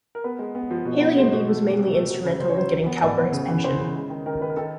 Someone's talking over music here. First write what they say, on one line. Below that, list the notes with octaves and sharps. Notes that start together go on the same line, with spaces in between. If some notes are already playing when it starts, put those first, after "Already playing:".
Hayley indeed was mainly instrumental in getting Cowper his pension.
A#4
B3 B4
G#3
B3
F3
B2
B3
G#3 C5
B2
A3
A3
C3
A3
F#3
C#3
C#3 C5
C#5
F#3 C5
F#3
B3
A2 D5
B3
C#3
E3
E3 C5
C#3
G#3
D#3
D#3 A#4
D#3 B4
A#4
D#3 A4